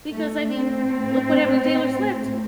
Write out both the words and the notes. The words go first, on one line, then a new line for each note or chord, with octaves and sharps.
because I mean, look what happened to Taylor Swift.
A2 A3
C4
A2